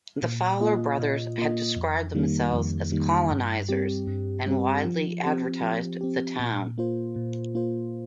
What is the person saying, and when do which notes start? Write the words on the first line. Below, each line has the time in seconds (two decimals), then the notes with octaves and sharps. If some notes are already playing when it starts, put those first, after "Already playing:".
The Fowler brothers had described themselves as "colonizers" and widely advertised the town.
0.23 A#2
0.60 A#3 F4 D#5
0.99 A#2
1.38 A#3 F4 D#5
1.76 F2
2.15 D#3 G3 A#3
2.53 F2
2.92 D#3 G3 A#3
3.31 G2
3.69 G3 C4 G4
4.07 G2
4.46 G3 C4 G4
4.85 F3
5.23 C4 G4
5.62 F3
6.01 C4 G4
6.39 A#2
6.78 A#3 F4 C5
7.16 A#2
7.55 A#3 F4 C5